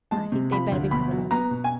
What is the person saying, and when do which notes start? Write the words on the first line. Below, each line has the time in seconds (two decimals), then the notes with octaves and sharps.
I think they'd better be quick about it.'
0.11 G#3 A5
0.32 C3
0.52 F3 B5
0.72 D2
0.91 B2 B5
1.11 F#3
1.31 B3 A#5
1.51 B2
1.64 G#5